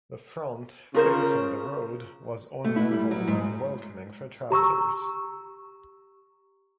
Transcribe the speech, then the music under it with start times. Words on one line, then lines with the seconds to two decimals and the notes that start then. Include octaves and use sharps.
The front, facing the road was ornamental and welcoming for travelers.
0.94 C#3 F4 A#4 C5
2.64 A3
2.76 E4
2.91 G3
3.11 F#3
3.27 G#2
4.50 G4 A#5 C#6 E6